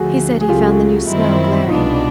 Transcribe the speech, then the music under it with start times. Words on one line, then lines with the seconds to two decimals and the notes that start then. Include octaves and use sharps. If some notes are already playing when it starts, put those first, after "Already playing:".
He said he found the new snow glaring.
Already playing: D2 D3 F3 A3 F#4 G#4
0.40 G#4
0.48 C#2 C#3 F#3 A3 F4 G4
1.08 F#2 D#3 G3 C4 E4
1.68 C2 B2 G#3 B3 D4 D#4 F4